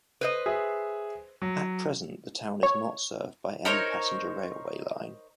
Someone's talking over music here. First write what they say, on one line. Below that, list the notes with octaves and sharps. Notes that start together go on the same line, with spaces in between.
At present, the town is not served by any passenger railway line.
B4 C5 D#5
G#4 E5
F#3
C#5
D#4 A#4 C5 C#5